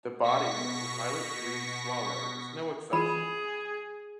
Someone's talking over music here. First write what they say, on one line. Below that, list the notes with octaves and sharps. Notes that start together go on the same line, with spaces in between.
The body of the violet-green swallow is no exception.
B2 C#6 A#6 B6
E3 F4 G#4 B5 D#7